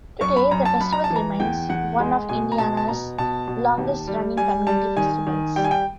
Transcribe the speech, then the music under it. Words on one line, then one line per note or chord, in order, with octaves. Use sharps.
Today, the festival remains one of Indiana's longest-running community festivals.
F#2 C#6
B5
F#2 A#5
A5
F#2 B5
A#5
A5
E3
A#5
E2 G5
E2 F#5
G#3
B2 G#5
A#5
B2 A5
A5
B2 A#5
B2 A5
B2
D#2
G3
G3 G#5
G3 A5
D#3 G#5
D#3
G3 G5
G#5
G5